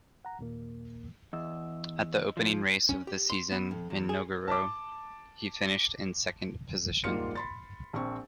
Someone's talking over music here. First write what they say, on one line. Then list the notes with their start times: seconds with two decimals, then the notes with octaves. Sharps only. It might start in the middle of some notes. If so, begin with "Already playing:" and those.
At the opening race of the season, in Nogaro, he finished in second position.
0.25 F#5 A#5
0.39 D#2 A#2 A#3
1.33 E2 D#5 E6
2.37 F3
2.89 C#4
3.07 G4
3.30 C6
3.52 B3
3.71 F2
3.90 E2
4.09 G#4
4.48 A5 D6
7.04 G#2 G3 A#3 F4 F6 C#7
7.35 B5 C6 A6
7.93 A#1 C4 C#6